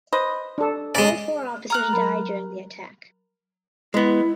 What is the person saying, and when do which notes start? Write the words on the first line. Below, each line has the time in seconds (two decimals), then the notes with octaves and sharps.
All four officers die during the attack.
0.13 B4 C5 D#5
0.58 D4 A4
0.95 G#3 C#4 D5
1.70 A#5 F6 F#6
1.93 F#3 A#4 B5
3.94 G#3 B3 E4